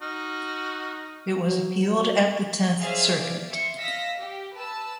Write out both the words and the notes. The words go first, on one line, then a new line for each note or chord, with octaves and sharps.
It was appealed at the Tenth Circuit.
D#4 F#4 F6
F#3
G#4 C5 C#5 E5 F5 F6
D5
E5 C6 C#7
D#5 F5 E6 A#6 B6
G4
B4 A5 E6